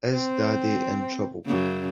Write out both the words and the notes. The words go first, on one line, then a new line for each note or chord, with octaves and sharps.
Is Daddy in trouble?
C4
F#2 C#3